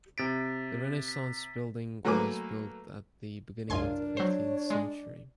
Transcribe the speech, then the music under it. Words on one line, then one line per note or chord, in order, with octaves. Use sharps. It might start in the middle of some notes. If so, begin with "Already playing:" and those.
The Renaissance building was built at the beginning of the fifteenth century.
C3 A6 B6 D7
B6
F#3 A3 A#3 B4 G#5 D6
C2 F#2 D4 F4 A#4 G#5 C6
F#3 C5 C#5
G#3 D5